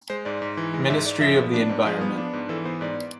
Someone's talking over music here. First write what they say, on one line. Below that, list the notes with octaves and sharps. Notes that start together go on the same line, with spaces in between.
Ministry of the Environment.
G#3 C5
G#2 D5
G#2
E3
G#3
G#2 E5
G#2 D5
F3 E5
B3
D4
G#2
F3 G#4
B3
D4
G#2
E3 A4
B3 C5
G#2 D5